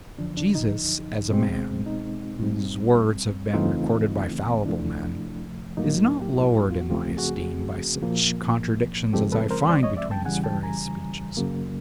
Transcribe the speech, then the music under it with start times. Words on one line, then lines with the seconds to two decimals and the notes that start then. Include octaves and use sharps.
Jesus as a man, whose words have been recorded by fallible men, is not lowered in my esteem by such contradictions as I find between his various speeches.
0.18 F#2 D3 F3 D4
0.37 D4
0.55 D#4
1.30 B2 G#3 C4
1.86 D#4
2.42 A#2 G3 C4
3.53 E2 C#3 E3 A3 C4 D#4 F4
4.65 F2 C3 F3 A3 D4 E4
5.77 A2 F#3 A#3 D#4
6.22 G4
6.33 E4 F#4
6.71 F4
6.81 F#4
6.90 F#2 C#3 F3 A3 C4 F4 G4
7.17 F#4 G#4
8.02 A#2 F3 A#3
9.13 F2 C#3 F3 G#3 C4 G4 A4
9.32 A4 B4
9.51 A#4 C5
9.69 C5 D5
9.83 C#5 D#5
9.97 D5 E5
10.11 G5 A5
10.25 E2 C#3 E3 G3 F#5 G#5
10.44 G5 A5
10.63 G#5 A#5
11.37 F#2 C#3 F#3 A#3